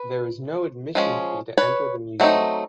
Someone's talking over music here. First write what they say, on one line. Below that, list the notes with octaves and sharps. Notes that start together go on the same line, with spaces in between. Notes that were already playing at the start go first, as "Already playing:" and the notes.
There is no admission fee to enter the museum.
Already playing: B4
F3 G#3 C#4
B4 C#5
F#3 A3 C4 D#4